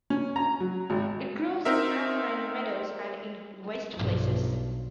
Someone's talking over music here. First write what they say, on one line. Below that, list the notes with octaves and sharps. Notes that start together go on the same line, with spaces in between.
It grows in alkaline meadows and in waste places.
C#4
A#5
F#3
G#1
C4 D#4 A#4 E5
B1 G2 F3